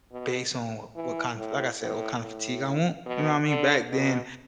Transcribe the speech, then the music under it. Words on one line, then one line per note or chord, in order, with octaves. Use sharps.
based on what what kind of like I said, what kind of physique I want, you know what mean? Back then
B2
E3
A2
A2
A2
B2
D3
B2